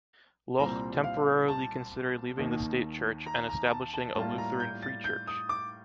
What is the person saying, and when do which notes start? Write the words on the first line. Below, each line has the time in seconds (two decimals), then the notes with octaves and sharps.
Löhe temporarily considered leaving the state church and establishing a Lutheran free church.
0.59 C2 A#2 G3 C4 A#5
1.04 F5
1.48 A5
2.37 D#2 D#3 A#3 D#4
3.26 A#5
3.49 A#5
3.71 A5
3.94 A5
4.15 A2 G3 A#3 F4 A5
4.38 A#5
4.60 G6
4.82 A6
5.04 G6
5.27 D#6
5.49 D6